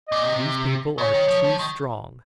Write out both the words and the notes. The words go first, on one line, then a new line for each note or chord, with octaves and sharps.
These people are too strong.
A#2 D#5
C3
C#3 C#5
D#3
F3
F3
D#3